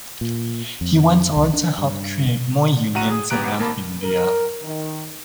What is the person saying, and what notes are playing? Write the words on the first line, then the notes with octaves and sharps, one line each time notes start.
He went on to help create more unions around India.
A#2
F2
C2
D4
G2
B2
A#1 F#4 F#5 A#5 D#7 E7
G#4 D#6
G1 B3 G4 A#5 F#6 D7
G#1 A#3 A5 B5
A#4
D#3